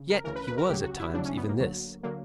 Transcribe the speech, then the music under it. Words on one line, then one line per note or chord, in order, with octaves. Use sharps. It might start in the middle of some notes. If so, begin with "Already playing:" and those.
Yet he was at times even this.
Already playing: D2 C#3
A#4
D2 C#3 E3 A#4
B4
B4
A#4
D2 C#3 F#3 G4
F#4
E4
D2 C#3 F#3 D4
C#4
B3
A#3
D2 D3 F#3
D3 F#3 A#3